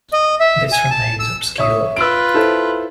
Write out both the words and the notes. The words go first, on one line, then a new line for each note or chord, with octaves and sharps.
This remains obscure...
D#5
E5
G#5
A5
E6
C#5 E5 D#6
F4 B4 E6 D7
E4 A4 C5